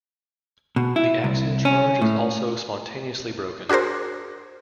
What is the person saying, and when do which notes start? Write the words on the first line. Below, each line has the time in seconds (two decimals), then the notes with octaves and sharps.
The axial charge is also spontaneously broken.
0.76 B2
0.96 E4
1.24 C2
1.65 C#4
2.02 A2
3.69 D4 F#4 G#4 A#4 C5